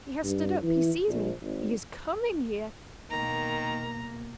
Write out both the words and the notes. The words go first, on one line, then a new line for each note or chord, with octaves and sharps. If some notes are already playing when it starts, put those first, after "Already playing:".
He has stood up, he sees me, he is coming here....
G2
E3
A#1
G#1
B2 D#3 A#3 A#5